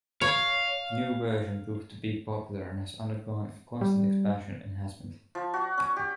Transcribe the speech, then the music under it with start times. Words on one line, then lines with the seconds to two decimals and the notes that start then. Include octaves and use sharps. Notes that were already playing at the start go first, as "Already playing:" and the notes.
The new version proved to be popular and has undergone constant expansion and enhancement.
0.21 C#5 F5
3.81 G3
5.35 F3
5.54 F#4
5.78 C#4
5.96 G4